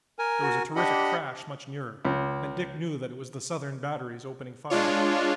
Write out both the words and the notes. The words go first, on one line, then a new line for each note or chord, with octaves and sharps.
There was a terrific crash much nearer, and Dick knew that it was the Southern batteries opening fire.
A#4 G#5
F#4
D4 G4 D#5 F#5 B5
C#2
G#3 D4 F4 C#5